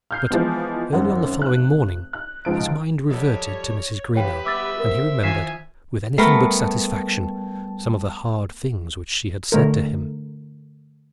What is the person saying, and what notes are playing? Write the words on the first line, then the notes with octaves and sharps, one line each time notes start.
But early on the following morning his mind reverted to Mrs. Greenow, and he remembered, with anything but satisfaction, some of the hard things which she had said to him.
F6 G6 C7
E3 F3 G#3 B3
G#1 F#2 F#5
F1 F#6
F#6
C#2 G#2 F3 D7
F3 G3 A4 C#5
A#2 E3 G4 B4 C#5 G5
G3 B3 E5 D6 E6 A6
C4 A#4
D#3 F3 G#5 B6 C7 E7
G3 A3 B3 A#4 A5
D3 A3 A#4